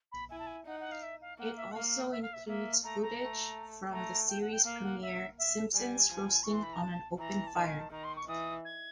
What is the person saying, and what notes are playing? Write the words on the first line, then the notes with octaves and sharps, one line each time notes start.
It also includes footage from the series premiere "Simpsons Roasting on an Open Fire".
B5
E4 G#5
A5
G#5
D#4 F#5
F#5
F5
E5
F5
A#3 F#5
E5
F#5
A#3 F5
E5
F5
E5
A#3 E5
A3 A#5
A#5
A3
A3 A#5
G5
F#5
G5
A#3 F5
F#5
E5
E5
G3 G#5
F3
E3 C#6
C6
B5
A#5
A5
E3 A#5
A5
D#3 G#5
G#5
A5
D#3 A#5
C6
C#6
E3 D#6
G#6